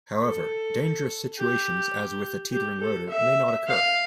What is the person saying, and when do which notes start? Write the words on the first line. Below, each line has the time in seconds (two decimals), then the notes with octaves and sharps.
However, dangerous situations, as with a teetering rotor, may not occur.
0.24 A4
1.39 G4
2.52 G4
2.81 A4
3.09 E5
3.67 F5